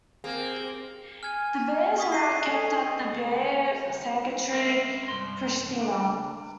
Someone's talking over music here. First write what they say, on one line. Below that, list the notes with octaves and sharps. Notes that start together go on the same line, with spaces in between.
The bears are now kept at the Bear Sanctuary Prishtina.
A#3 C4 G#4
G#5 F6 G#6
G#4 C#6 D#6 B6
E5 C7 D#7
D3 G#3 D#5
G#3 C4 C#4 E4 A#4 C5
C2 G2 C6
D4